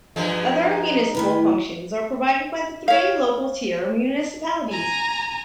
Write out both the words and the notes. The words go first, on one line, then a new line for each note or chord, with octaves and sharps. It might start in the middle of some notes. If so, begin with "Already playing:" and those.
Other municipal functions are provided by the three local-tier municipalities.
G2 F3 G#3
D#4
A2 D#3 E3 B4
C#5 F5
G#5 A#5